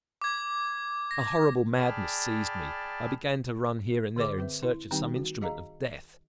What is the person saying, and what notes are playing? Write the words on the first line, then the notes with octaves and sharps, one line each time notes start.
A horrible madness seized me; I began to run here and there in search of some instrument of death.
D6 G#6
A#6
G#4 D5 G5 A5 B5 F6
D3 G#4 C5 D6
C4 B4 E5
E4
D#3 G3 C4 D#4 G4 G5
F#4
G#4 D#5 F5 A#5